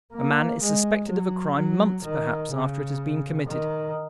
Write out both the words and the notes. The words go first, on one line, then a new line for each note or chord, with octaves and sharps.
A man is suspected of a crime months perhaps after it has been committed.
A#3
G#3
F#3
F#3
D#3
C#3
D#3